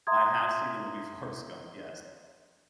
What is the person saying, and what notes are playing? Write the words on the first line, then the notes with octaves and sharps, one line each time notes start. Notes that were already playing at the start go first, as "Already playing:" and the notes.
I have seen the movie Forrest Gump. Yes.
E5 A#5 C6 D#6 G#6